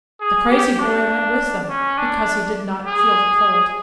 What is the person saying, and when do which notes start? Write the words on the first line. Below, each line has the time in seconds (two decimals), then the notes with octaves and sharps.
The crazy boy went with them, because he did not feel the cold.
0.21 G#4
0.50 G4
0.80 D4
1.69 C#4
1.98 D4
2.87 G#4